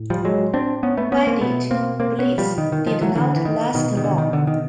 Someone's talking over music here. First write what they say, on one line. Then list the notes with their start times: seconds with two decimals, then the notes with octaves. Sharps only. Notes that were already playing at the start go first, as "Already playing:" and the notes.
Wedded bliss did not last long.
Already playing: A2
0.10 F3 G3
0.25 F#3 G#3
0.54 C4 D4
0.83 B3 C#4
0.97 A3 B3
1.12 B3 C#4
1.27 A#3 C4
1.41 B2 A3 B3
1.71 A#3 C4
2.00 A#3 C4
2.19 B3 C#4
2.38 F3 G3
2.58 D#3
2.72 D#3
2.87 D#3 F3
3.01 E3 F#3
3.16 D3 E3
3.36 E3
3.45 D#3
3.74 B2 D#3
3.97 D#3
4.04 D3
4.18 D#3
4.33 D3
4.47 D#3